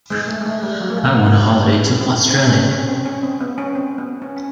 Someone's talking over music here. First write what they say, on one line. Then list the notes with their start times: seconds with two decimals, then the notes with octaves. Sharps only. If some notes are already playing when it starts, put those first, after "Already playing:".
I won a holiday to Australia.
0.10 G#3
0.28 A3
0.41 G#3
0.45 A3
0.62 G3
0.81 F#3
0.90 A#3
0.97 A3
1.15 A#3
1.32 A#3
1.50 A3
1.67 C#4
2.01 C4
2.29 C4
2.36 C#4
2.46 C#4
2.54 C4
2.71 C#4
2.88 C4
3.05 C#4
3.23 C4
3.41 B3
3.58 C#4
3.75 C4
3.98 B3
4.22 C#4
4.36 C#4